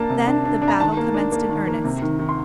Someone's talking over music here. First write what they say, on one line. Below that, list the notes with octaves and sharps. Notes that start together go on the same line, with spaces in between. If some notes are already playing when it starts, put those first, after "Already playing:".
Then the battle commenced in earnest.
Already playing: A#3 D4 A5
C3
D4
D4
D4
A#5
D#3 A5
A#3
D4
A#3
D#3
A#3
C3
D#3
D#3
C6